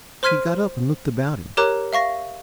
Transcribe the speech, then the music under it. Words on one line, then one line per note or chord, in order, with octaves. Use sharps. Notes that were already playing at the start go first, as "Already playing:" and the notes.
He got up and looked about him.
C5 C6 F6 G#6 B6 D#7
G4 A#4 C#5 A#5 D6 F#6
E5 F5 C#6 A#6